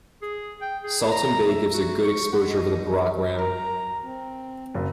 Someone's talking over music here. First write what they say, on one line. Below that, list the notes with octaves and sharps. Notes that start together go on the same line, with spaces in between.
Saltom Bay gives a good exposure of the Brockram.
G#4
G5
G#4
A#5
E5
F#4
C#6
F#5
D#5
A#4 A#5
C4
F#1